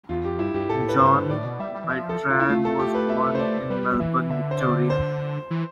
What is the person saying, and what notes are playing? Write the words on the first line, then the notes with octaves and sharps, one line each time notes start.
John Bertrand was born in Melbourne, Victoria.
E2 F4
F2 G4
G2 E4
G2 G4
A2 A4
B4
G2 C5
A2 D5
B2
G3 E5
G3
E3
F3 E5
A4
F4
E4
A3 F4
A4
G4
B4
E5
C5
D5
G3 B4
E3 E5
D3 E5
C5
D5
C5
E3